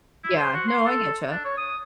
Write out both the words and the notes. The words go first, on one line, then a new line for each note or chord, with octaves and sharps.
Yeah, no, I get ya.
E4
C5
F#4
C6
A4
D4
C#5
D#6